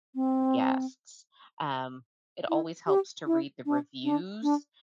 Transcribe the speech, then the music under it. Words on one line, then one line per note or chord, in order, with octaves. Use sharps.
guests. Um, it always helps to read the reviews,
C4
E4
G4
E4
D4
D4
D4